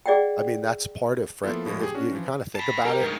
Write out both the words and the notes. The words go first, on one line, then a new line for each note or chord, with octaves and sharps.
I mean, that's part of frie i if you kind of think about it,
G#4 D5 D#5 F#5 G5
F3 A#3 B3 E4 F4 A4
A2 F3 G#3
G4 G#4
C#4 D4 F#4
E3 F3
A5 B5
G3 G4 A#4
D2 G#2